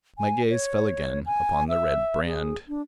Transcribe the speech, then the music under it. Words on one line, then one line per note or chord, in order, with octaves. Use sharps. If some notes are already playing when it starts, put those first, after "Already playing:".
My gaze fell again upon the red brand.
G#5
C#5
G#5
E5
G#4
D4